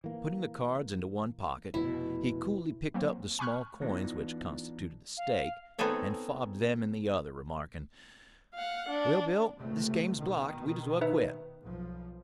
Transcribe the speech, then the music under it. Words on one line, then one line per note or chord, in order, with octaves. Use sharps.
Putting the cards into one pocket, he coolly picked up the small coins which constituted the stake, and fobbed them in the other, remarking, "Well, Bill, this game's blocked; we'd as well quit."
E3 A#3
F1 B2 E4
F#3 A#3 C4
G#5 B5 C#6 F6 F#6
E3 B3 D4 D#4 F4
F5
B3 C4 D#4 G#4 A4 C#5
F5 F#5
D4
C#2 C3 A3
B2 D#3
D#4 B4 E5
B1 F3